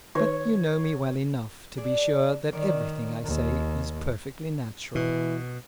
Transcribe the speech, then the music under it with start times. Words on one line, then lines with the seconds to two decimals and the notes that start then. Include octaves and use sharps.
But you know me well enough to be sure that every thing I say is perfectly natural.
0.15 D#3 D#4 B4 C#5
1.77 D4 G#4
2.53 D#3 A#4 C#5 D5
3.24 D#2
4.95 B2 E3